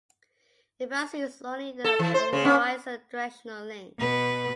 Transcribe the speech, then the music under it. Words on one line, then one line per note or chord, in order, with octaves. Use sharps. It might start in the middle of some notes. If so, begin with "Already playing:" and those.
It first used only an overhorizon directional link.
A4
E3
C5
C#3
C#4
B2 B4